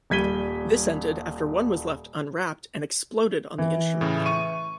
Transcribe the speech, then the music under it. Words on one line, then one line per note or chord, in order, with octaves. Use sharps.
This ended after one was left unwrapped and exploded on the instrument panel.
D#1 G3 G#6 B6 D#7 G7
E3
A2 C#3
C#6 D#7